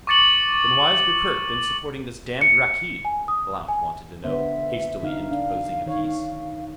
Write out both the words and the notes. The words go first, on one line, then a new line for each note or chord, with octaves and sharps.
"Then why's Gurgurk been supporting this damned Rakkeed?" Blount wanted to know, hastily interposing a piece.
C#6 D6 A6 C#7 F#7
C#7
G#5
D#6
G#5
D3 B3 C5 E5
D3 D#4 F5
D4 F5
D#3 C#5